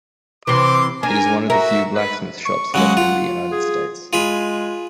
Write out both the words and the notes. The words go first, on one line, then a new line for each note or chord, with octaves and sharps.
It is one of the few blacksmith shops left in the United States.
C3 E3 C6 D6
D4 A#4 G#5
F#4 A#4 E5
B4
C#6
C#3 F#3 G#3 F#5
F4
G#4
G#3 F4 G#4 B5